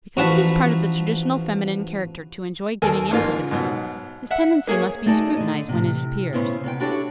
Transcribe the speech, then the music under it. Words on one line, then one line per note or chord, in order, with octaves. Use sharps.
Because it is part of the traditional feminine character to enjoy giving in to the man, this tendency must be scrutinized when it appears.
A1 F3 F#4 F#5 A5 B5
D#2 A4 A#4 G#5
A1 G#2 A#3 F4 A#4
G#2 B2 F#3
E5 F#5
A#3 G#4 A#4 C#5
A3 D#4 F#4 G#4 D5 A5
D3 D#5
A2 C3
C#3 B3 E4 C5 C#5
C3 B3 C#5 G5
D4 E4 F#4 G4 A4 C#5